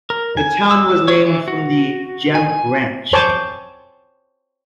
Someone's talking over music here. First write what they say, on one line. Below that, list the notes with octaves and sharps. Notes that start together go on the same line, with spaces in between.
The town was named from the Gem Ranch.
A#4
G#5
E6
C#5
E3
F#4
G#5
C5 C#5 G#5 A5 D6